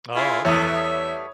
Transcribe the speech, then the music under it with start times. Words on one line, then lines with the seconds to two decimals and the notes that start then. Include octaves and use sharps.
Oh, okay.
0.16 E4 F4 G#4
0.45 E2 G3 A3 B3 C#5 E5 D#6